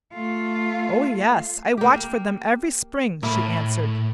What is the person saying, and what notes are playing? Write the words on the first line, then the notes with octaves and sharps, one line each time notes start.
"Oh, yes; I watch for them every spring," she answered.
A3 F4
A#3 G4
A2 A#3 E4